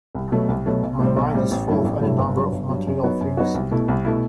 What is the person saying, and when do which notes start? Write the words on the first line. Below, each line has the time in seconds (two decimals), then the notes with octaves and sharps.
My mind is full of any number of material things.
0.15 C2
0.32 B2 F#3 A3
0.48 C2
0.66 B2 F#3 A3
0.83 B1
0.99 A2 G3 C4
1.16 B1
1.34 A2 G3 C4
1.51 A1
1.67 G2 F#3 A3 E4
1.85 A1
2.01 G2 F#3 A3 E4
2.19 G1
2.35 G2 F#3
2.52 G1
2.69 G2 F#3
2.87 F#2
3.03 F#3 B3 D#4 F#4
3.21 F#2
3.37 F#3 B3 D#4 F#4
3.54 C2
3.71 B2 A3 E4
3.88 C2
4.05 B2 A3 E4